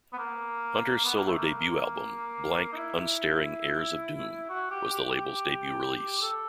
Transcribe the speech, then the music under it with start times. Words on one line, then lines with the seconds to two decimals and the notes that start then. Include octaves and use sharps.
Hunter's solo debut album "Blank Unstaring Heirs of Doom" was the label's debut release.
0.13 B3
0.18 A#3
1.05 B3
1.16 A#3
1.27 A3
1.37 A#3
2.72 D#4
2.77 E4
4.49 F#4
4.71 G4
4.92 G4
5.13 G4
6.21 A4